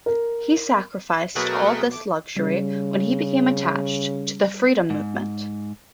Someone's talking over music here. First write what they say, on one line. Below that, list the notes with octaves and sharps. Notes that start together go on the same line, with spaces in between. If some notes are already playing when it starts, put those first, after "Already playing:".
He sacrificed all this luxury when he became attached to the Freedom Movement.
A#4
B2 F#3 A3 G#4 A#4 B4 F#5
A3 D6
C#3 G3
G#2